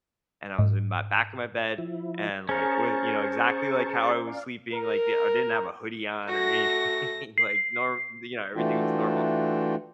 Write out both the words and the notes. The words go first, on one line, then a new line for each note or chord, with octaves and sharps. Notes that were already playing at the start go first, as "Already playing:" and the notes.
And I was in my back of my bed and like with you know, exactly like how I was sleeping, like I didn't have a hoodie on or anything like nor you know, everything was normal.
G#2
F3 E4
C#4 G#4 A#4 C5 A5 C#6
D5 F5
A#4
A3 F#4 A#6
C7
E3 A3 D4 F4 F#4 G5